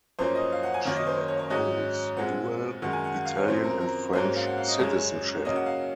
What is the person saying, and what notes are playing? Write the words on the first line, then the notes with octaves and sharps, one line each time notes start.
She holds dual Italian and French citizenship.
F#2 F3 A#3 C#4 C5
D#5
F5
F#5
G#5
F#2 D#3 A#3 C#4
D#5
C5
C5
C#5
C#5
G#2 F#3 C#4 D#5
A#2 G#3 C4 F#5
F#2 D#3 G#3 F#5
G#5
F#5
F#5
F5
C#5
F#2 F3 C4 C5
A#4
A#4
G#2 F#3 A#3 C#4 C5
C#5
F5
F#5
F5
D#5
F#2 C#3 G#3 C#4 C#5
C#3 F#3 A#3 C#4 D#5
F#5
F5